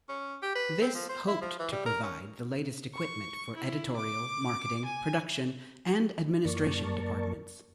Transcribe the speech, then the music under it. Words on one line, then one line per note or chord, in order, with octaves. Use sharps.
This hoped to provide the latest equipment for editorial, marketing, production and administration departments.
C#4
G4
B4
C4
F3
C5
E4
F3
E3
G3
A#4
C#4
C#6
E4
D6
G#5
F#2 A#3 A#4 D5 A5 C#6